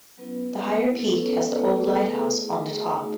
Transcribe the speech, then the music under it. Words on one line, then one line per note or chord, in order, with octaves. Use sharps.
The higher peak has the old lighthouse on the top.
F#3 B3 C#4 E4 B4
B3 E4
A4
B4
C#4 C#5
B4
A3 B3 E4 A4
G#4
G#4
A3 E4 G#4
F#4
G#4
A3 D#4 F#4